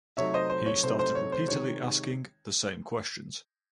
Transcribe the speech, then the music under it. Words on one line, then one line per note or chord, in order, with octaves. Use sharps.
He started repeatedly asking the same questions.
C3 F#3 A3 D#4 C#5 E5
C5 D#5
C5
C#5
C3 F#3 A3 D#4 C5
C5
C#5
C5
C3 D#3 G#3 C#5